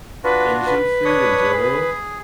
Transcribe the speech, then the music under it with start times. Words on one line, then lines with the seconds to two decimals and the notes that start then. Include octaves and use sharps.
Asian food in general.
0.24 D4 F4 F#4 B4
0.66 B4
1.05 D4 C#5 D#6
1.53 G#4